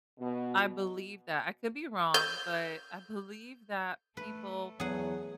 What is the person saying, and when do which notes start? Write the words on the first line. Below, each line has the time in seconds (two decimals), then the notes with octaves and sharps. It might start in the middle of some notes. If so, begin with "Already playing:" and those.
I believe that. I could be wrong, but I believe that people
0.19 B2
2.14 G6
4.17 A3 B4
4.80 E2 F#3 G#4 F#5